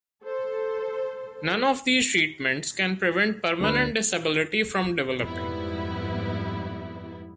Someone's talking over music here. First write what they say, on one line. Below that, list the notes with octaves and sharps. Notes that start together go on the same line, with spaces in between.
None of these treatments can prevent permanent disability from developing.
A4 C5
D2 D3 B4
F2 G#2 G3 B3 E4